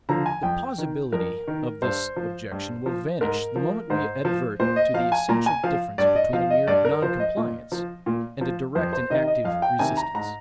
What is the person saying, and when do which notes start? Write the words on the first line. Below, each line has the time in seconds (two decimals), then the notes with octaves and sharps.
The plausibility of this objection will vanish the moment we advert to the essential difference between a mere NON-COMPLIANCE and a DIRECT and ACTIVE RESISTANCE.
0.09 D3 F3 A#5
0.26 G#5
0.43 F2 G5
0.78 D#3
1.12 F2 A#4
1.47 D#3
1.82 G2 C5
2.16 F3
2.51 G2
2.86 F3
3.21 G#2 A#4
3.56 F3
3.90 G#2 C5
4.25 F3
4.60 A#2 C5
4.76 D#5
4.94 F3 F5
5.12 G#5
5.29 A#2 A#5
5.46 G#5
5.64 F3 F5
5.98 G2 D5
6.15 D#5
6.33 F3 F5
6.50 D#5
6.67 G2 D5
6.85 A#4
7.02 F3 C5
7.20 D#5
7.37 A#2
7.72 F3
8.06 A#2
8.41 F3
8.75 F2 C5
8.93 C5
9.10 C3 D#3 D#5
9.27 D#5
9.44 F2 F5
9.62 G5
9.79 C3 D#3 G#5
9.97 A#5
10.14 G#2 A#5